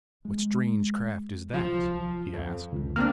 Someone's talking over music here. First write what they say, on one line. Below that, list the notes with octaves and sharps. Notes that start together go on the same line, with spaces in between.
"What strange craft is that?" he asked.
G#3
D1 C2 F3
F2
C#2
A#3 C4 D4 F6